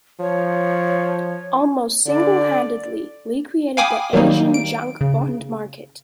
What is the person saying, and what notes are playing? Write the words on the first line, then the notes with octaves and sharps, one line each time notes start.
Almost single-handedly, Lee created the Asian junk bond market.
F3 C#5
D3 D5
F5 G5 G#5 B5 D6 D#6
D#3 F#3 G3 A#3 D#4
D7
C#3